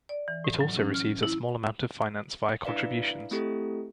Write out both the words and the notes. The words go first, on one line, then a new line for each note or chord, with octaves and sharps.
It also receives a small amount of finance via contributions.
D5
E3
A2
F#3
C#4
F6
E4
D4 E4 B4 D5 F5
A3 C4 E4 G4 A4